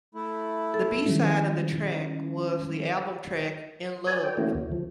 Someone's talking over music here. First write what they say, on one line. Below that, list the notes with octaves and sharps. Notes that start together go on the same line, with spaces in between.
The B-side of the track was the album track, "In Love".
A3 E4
A4
D#3 F3 G3 G#3 C#4 E4
B4 C#5 D5 G#5
G5
E3 A3 A#3 C#4 E4 F#4
D2
F3